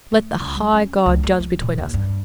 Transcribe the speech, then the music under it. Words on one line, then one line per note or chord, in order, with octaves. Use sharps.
'Let the high God judge between us.
A3
C#2
G3
C#4
C#2
A3
F3
A#2
D#2
G2